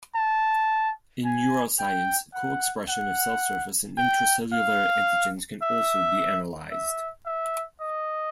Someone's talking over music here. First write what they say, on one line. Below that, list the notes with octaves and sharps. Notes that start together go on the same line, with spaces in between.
In neuroscience, co-expression of cell surface and intracellular antigens can also be analyzed.
A5
G#5
G5
F#5
F#5
G5
F5
E5
E5
E5
D#5